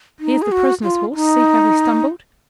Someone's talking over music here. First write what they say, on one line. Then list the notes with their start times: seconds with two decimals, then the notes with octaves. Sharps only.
Here's the prisoner's horse, see how he stumbled?
0.20 D#4
0.42 G#4
0.52 F#4
0.83 F4
1.15 D#4